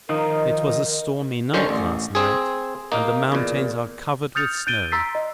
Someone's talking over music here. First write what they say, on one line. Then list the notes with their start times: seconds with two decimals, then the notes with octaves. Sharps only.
It was a stormy night last night, and the mountains are covered with snow.
0.09 D#3 F3 D#4 F4 A#4
1.54 D3 D#3 C#4 C5
1.69 A1
2.15 C4 G#4
2.92 A#3 D#4
3.32 E2 A#2
4.35 D#6 F6 G6 A6 C#7 F7
4.66 F#6 G6 A6 D7 D#7 G7
4.92 A#5 C6 E6 A6 B6 C7
5.15 D#5